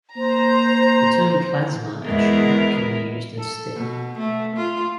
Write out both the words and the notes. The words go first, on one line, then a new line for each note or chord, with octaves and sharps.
The term plasma ashing can be used instead.
A#3 C5 A#5
E2 G#3 B3 E4 A#4
A4
B2
A3
F4